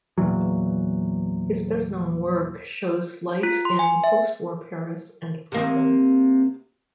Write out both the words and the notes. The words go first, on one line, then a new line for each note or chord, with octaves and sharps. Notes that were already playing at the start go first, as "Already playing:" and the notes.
His best-known work shows life in post-war Paris and Provence.
E2 A#2 E3 F#3
F4
C6
G#5
E5
C3 A#3